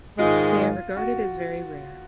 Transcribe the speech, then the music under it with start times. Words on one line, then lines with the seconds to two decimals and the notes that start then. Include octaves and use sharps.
They are regarded as very rare.
0.19 G#2 D#3 G#3 F4
0.97 F#4